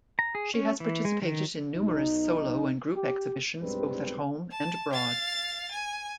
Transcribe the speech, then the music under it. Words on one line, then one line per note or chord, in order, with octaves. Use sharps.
She has participated in numerous solo and group exhibitions both at home and abroad.
A#5
G#4
C#4
E3
G#3
D#3
B1 D#4
G4
B1 G2 G3 G#3 C4 B4
A5
F5 A6
G#5